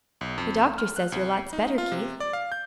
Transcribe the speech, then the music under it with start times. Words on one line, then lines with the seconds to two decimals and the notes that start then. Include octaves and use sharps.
"The doctor says you're lots better, Keith."
0.21 B1
0.38 F2
0.78 F6
0.96 F#6
1.12 C2
1.53 D#4
1.78 F4
1.92 C3
2.20 D5
2.33 F5
2.52 G6